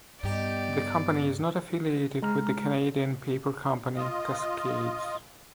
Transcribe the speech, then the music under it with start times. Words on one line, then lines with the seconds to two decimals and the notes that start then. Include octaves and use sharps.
The company is not affiliated with the Canadian paper company Cascades.
0.23 G2 B3 D#4 G4 D5
2.22 G#3 A#5 F6
3.95 F4 D#5